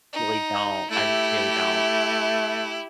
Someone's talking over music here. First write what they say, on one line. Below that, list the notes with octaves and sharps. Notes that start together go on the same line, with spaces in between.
Really don't, I really don't.
D#4
A3 E4 G4